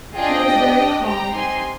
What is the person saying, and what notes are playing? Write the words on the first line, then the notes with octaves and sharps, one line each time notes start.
She was very calm.
D4 F4 G#4 D#5 G5
D4 G4
D4 G4
C4 G4 G5 A#5
C4 D#4 G4 G#5 C6